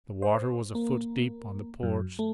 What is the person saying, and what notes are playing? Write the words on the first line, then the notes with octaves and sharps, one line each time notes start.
The water was a foot deep on the porch.
C5
A#3
F#2
A3